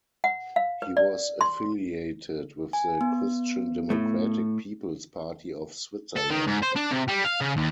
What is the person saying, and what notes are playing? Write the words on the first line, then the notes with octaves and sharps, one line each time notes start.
He was affiliated with the Christian Democratic People's Party of Switzerland.
F#5
F5
B4
D5
C6
G#5
B3
A2 A3
A4
D#3
G#2
C5
D4
C3
G3
F5
C#3
D#2